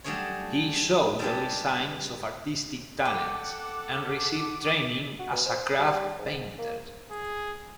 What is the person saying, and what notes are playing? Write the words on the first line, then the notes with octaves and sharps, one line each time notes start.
He showed early signs of artistic talent, and received training as a craft painter.
F#3 G3 A3 D4 G#4 C#5
G3 G#3 D4 G4 A4 B4
A4 F#5 G5 D6
F#4
B2
C5
G3
G#2
A#3
G#4